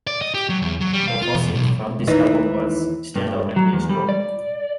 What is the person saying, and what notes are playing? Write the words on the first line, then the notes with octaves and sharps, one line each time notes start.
The first hit from this album was "Stand Up And Be Strong".
D5
D#5
G4
F#3
E2
F#3
G3
F5
F4
E2
B1
D#2 E3 D#4
G2
F#3
E2
G3
D5